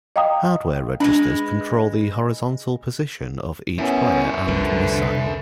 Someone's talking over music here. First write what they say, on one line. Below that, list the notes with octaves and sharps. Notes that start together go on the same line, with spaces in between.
Hardware registers control the horizontal position of each player and missile.
D#5 F5 G5 A#5 D#6
G#3 D4 B4
B3 C#4 E4 A#4 E5
F1 C2 D3 F3 B4